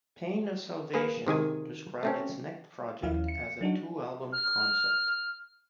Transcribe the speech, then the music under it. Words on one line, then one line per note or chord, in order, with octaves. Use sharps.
Pain of Salvation described its next project as a two album concept.
A#3 G#4 B4
C3 D#3 G#4 G#5
A3 C4 C#4
D#2 F3 C#4 E4 F5
C#7
F#3 D4 D#4 F#4
F6